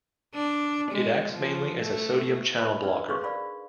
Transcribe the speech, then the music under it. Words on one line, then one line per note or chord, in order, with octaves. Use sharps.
It acts mainly as a sodium channel blocker.
D4
G#3
F3
A3
B4 E5 B5
D4 A#4 B4 D5
D#4 G#4 B4 F5 C6 C#6
A#4 C5 D5 F5 B5